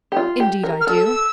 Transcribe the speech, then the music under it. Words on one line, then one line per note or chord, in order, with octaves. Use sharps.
"Indeed I do."
G4
F4
G4
A#4
F6
A4 E6